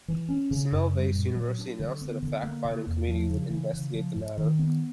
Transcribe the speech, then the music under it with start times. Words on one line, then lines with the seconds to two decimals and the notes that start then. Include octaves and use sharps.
Semmelweis University announced that a fact-finding committee would investigate the matter.
0.08 E3
0.29 C#4
0.51 C#3
0.72 F#2
0.94 G3
1.15 A#2
1.36 F#3
1.58 D4
1.79 D3
2.01 B3
2.22 D3
2.43 A#3
2.65 C3
2.87 E2
3.08 F3
3.29 C#3
3.51 E3
3.73 C#3
3.94 F3
4.16 G#2
4.38 D#3
4.59 B3